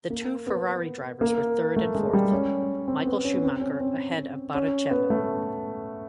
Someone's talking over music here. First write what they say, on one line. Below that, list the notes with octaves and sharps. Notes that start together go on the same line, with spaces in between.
The two Ferrari drivers were third and fourth; Michael Schumacher ahead of Barrichello.
A#3
B3
A#3
A3
G#3
G3
C#4
C4
B3
C#4
B3
C4
C#4
C4
C#4
B3
A3